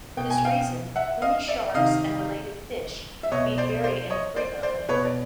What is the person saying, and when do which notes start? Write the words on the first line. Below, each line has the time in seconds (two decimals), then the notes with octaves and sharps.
For this reason, many sharks and related fish feed very infrequently.
0.17 B2 G5
0.30 G#5
0.45 F5 G5
0.96 E5 F#5
1.22 D#5 F5
1.48 D5 E5
1.74 C3 D#3 D#5 F5
3.23 E5
3.32 B2 C#5 D#5
3.58 C5 D5
3.84 C5 D5
4.10 C#5 D#5
4.36 C5 D5
4.63 C5 D5
4.89 B2 B4 C#5
5.05 D5